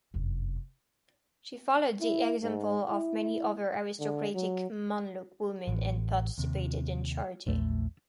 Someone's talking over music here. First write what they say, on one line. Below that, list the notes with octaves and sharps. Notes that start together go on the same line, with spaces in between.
She followed the example of many other aristocratic Mamluk women and participated in charity.
F1 F#2
E4
G#2
E4
D3
F#3
A1
D#2 C3
A#1 E2 A3